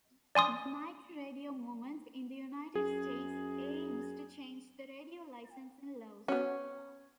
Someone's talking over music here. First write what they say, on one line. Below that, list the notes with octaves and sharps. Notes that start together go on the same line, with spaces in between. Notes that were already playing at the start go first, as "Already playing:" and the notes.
The Microradio Movement in the United States aims to change radio licensing laws.
D5 G#5 C6 D#6
F#2 G#4
B3 C#4 F#4